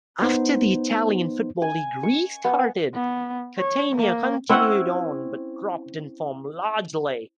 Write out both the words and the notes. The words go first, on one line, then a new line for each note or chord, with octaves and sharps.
After the Italian football league restarted, Catania continued on but dropped in form largely.
B3 D#4 C5
G#5
C#6
B3
B3
C#5
A#3
C4 C#4 E4 F#5